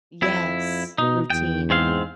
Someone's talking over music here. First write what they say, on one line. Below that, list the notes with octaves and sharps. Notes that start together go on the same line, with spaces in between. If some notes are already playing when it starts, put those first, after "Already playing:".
Yes. Routine.
F2 E4
B2 D#4
E2 G5
G#2 C4 F5